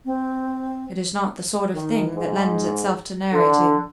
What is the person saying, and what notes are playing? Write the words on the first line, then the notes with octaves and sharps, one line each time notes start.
It is not the sort of thing that lends itself to narrating.
C4
D#3
G#2
D3